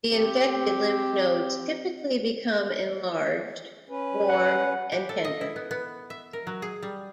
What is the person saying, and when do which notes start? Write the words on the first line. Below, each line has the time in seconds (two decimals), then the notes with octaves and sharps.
The infected lymph nodes typically become enlarged, warm and tender.
0.12 C4 G4
3.89 C#4 B4
4.28 F#5
4.92 G4
5.09 A4
5.24 D#5
5.41 E4
5.56 B3
5.71 B3
6.10 E5
6.33 A#4
6.47 F#3
6.62 G#4
6.83 G3